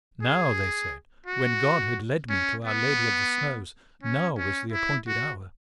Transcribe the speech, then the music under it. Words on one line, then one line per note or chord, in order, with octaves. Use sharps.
Now, they said, when God had led me to Our Lady of the Snows, now was the appointed hour.
G#4
F#4
C#4
B3
C#4
C#4
E4
F#4